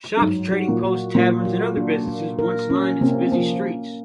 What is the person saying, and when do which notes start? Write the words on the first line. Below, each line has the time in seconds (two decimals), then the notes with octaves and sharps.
Shops, trading posts, taverns, and other businesses once lined its busy streets.
0.17 G2
0.21 G#2 F#3
0.52 F#4
0.68 A#2
0.83 F#4
1.15 A#2 F#3
1.46 F#4
1.77 D4
2.07 A#3
2.39 A#4
2.70 C#4
3.01 C3 A#3
3.32 F3 A#3